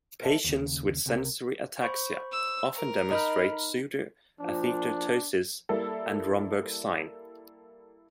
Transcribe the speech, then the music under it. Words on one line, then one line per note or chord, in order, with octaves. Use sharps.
Patients with sensory ataxia often demonstrate pseudoathetosis and Romberg's sign.
A#4 C5 D#5 E5 A5
D#2 C#3
C2 C3 G4 A#4
C5 B5 C#6
E6
A#4
D#4 A#5 B5 F6
A#2 F3 D4
G3 A#3 E4 A4